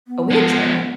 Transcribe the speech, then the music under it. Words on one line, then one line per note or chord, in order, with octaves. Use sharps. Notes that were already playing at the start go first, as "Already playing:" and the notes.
a wheelchair.
B3
F3 G#3